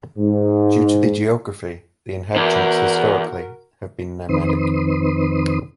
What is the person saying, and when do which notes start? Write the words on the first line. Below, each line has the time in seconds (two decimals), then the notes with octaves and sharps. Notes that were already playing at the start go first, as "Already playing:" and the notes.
Due to the geography, the inhabitants historically, have been nomadic.
0.18 G#2
2.36 E2 F#4 A#4
4.29 F2 D#3 C4 B4 C6 D#6